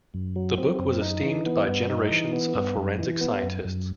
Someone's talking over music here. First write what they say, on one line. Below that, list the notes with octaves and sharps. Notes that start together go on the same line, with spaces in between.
The book was esteemed by generations of forensic scientists.
F#2
F#3
C4
F#2
D#4
E3
B3
G2
D#4
E3
B3
G2
F#2
E3
B3
F#2
F#2